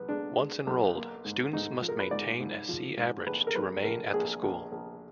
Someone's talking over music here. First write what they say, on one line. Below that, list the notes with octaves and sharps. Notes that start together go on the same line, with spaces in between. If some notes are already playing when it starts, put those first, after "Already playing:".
Once enrolled, students must maintain a C average to remain at the school.
Already playing: B1 B3
G#3 D4
G#3
B1
A#3
G#2
G#2 D#4
F3
A#4
B4
G#2 D5
G#2
F3
G#2
A#1 B4
A#4
F#3 B4
A#1 A#4
A#1 G#4
A#1
A#1